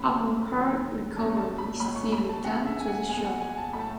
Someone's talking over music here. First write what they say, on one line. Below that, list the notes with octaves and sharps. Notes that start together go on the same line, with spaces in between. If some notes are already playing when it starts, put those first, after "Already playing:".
Upon her recovery she returned to the show.
Already playing: D#2 C#3 F#3 B5
D#2 D#3 F#3
E1 E2 C#3 F#3 A3 A5
A5
B5
C#2 C#3 F#3 C#4 B5
C#6
B5
A5
E2 C#3 E3 G#3 F#5
E5
G#5
F#5
B1 B2 G#3 G#5
F#5
G#5
A5
A2 F#3 A3 B5
A5